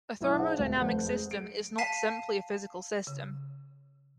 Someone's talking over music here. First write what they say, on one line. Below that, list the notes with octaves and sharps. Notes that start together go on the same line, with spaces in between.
A thermodynamic system is not simply a physical system.
B1 E4 E5 D#6
D4 G#4 C5 F5 F#5 A5
D#1 G#1
F1 A4 C5 F#5 G6
G#3
D7
F5 A5 B6 C7 D#7
C#3